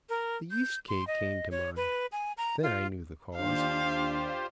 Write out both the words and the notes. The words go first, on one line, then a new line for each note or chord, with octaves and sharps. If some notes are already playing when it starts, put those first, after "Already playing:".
The yeast cake came to mind; then I knew the cause.
A#4
G6
C6
D#5
C#5
B4
G#5
A#5
F4
D#2 D4 F4 G4 C5 F5